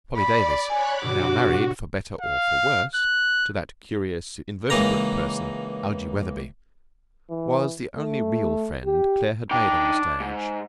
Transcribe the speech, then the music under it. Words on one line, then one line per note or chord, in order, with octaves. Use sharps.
Polly Davis, now married for better or for worse to that curious invertebrate person, Algie Wetherby, was the only real friend Claire had made on the stage.
D5 B5
C#5 G#5 B5 F#6
G2 B2 D3 F#4 D6
F5
F#6
C#2 E3 A#3 A#5
E3
A3
G4
D4 D#4 G5
G#2